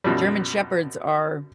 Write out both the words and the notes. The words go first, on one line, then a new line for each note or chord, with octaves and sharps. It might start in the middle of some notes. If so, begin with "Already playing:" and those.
German Shepherds are,
F#2 B2 F3 G3